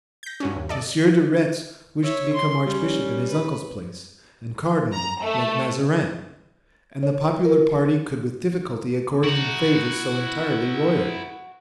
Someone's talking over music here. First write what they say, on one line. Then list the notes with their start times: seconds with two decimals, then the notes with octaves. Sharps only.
Monsieur de Retz wished to become archbishop in his uncle's place, and cardinal, like Mazarin; and the popular party could with difficulty accord him favors so entirely royal.
0.23 G6 A#6
0.40 G2 F#3 C#4
0.56 D#2
0.69 A4 D5 D#5
2.03 C#5 E5
2.33 C6
2.67 G3 C#4
3.31 B4
4.92 A#5
5.21 A3
7.03 C#5
7.45 A#4
9.24 E4 F#4 A#5